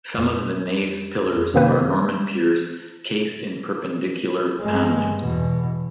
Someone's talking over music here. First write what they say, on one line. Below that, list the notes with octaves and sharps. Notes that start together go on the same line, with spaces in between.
Some of the Nave's pillars are Norman piers cased in Perpendicular panelling.
F2
F#2 C3 D#3 A#3 C4 B4
G2 G#3
E2 B2